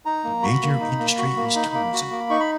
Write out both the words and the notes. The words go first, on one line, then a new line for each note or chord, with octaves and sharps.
The major industry is tourism.
D#4 A#5
A#3
F#4 B5
A#3
D#4
A#3
F#4
A#3
D#4
A#3
F#4
A#3
D#4 C#6
B5